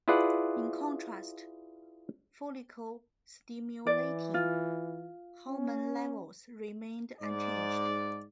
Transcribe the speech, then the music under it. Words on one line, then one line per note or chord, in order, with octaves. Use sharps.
In contrast, follicle-stimulating hormone levels remained unchanged.
E4 F4 G#4 B4 D5 F#5
E3 D5
F4
C#4
G#2 D5